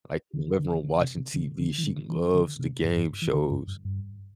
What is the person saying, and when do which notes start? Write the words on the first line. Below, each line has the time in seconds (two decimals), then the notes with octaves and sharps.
Like, living room watching TV, she loves the game shows.
0.33 D3
0.59 D3
0.84 D3
1.00 C3
1.17 C3
1.34 D3
1.59 D3
1.78 E3
1.84 D3
2.09 E3
2.34 D3
2.59 C3
2.84 G2
2.96 G2
3.22 E3
3.34 D3
3.51 G2
3.67 G2
3.85 G2